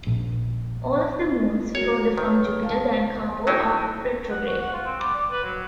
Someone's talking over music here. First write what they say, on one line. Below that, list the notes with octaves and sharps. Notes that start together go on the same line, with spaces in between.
All of the moons further from Jupiter than Carpo are retrograde.
A#1
F#4 A#4 C#5
D#3 B4 C#5
C#2 F5 A5
F#3 D#4 E4 A4 G5
F#5
F#4
F#5
F4
C4
G3
D5
B4
F#3